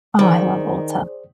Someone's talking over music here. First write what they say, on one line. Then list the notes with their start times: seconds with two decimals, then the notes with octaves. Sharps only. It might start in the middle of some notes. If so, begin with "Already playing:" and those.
Oh, I love Ulta.
0.19 D#3 G#4 C5 D5